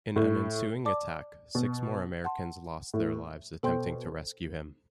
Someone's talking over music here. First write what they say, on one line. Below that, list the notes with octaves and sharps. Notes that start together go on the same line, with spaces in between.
In an ensuing attack, six more Americans lost their lives attempting to rescue him.
A2
D5 A5 D6
B2
F#5 A5 C6
A2
B2 A4 C5 G5 C6 G6